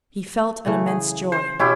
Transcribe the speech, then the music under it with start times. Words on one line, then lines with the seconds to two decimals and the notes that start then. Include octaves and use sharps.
He felt an immense joy.
0.66 C#3 E3 A3
0.87 G#4
1.32 C5
1.59 B2 C#4 E4 G4